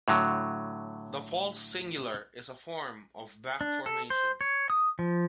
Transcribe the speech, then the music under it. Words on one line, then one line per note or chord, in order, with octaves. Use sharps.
The false singular is a form of back-formation.
A2 D3 F#3
D4
A4
C5
C#5
D#6
F3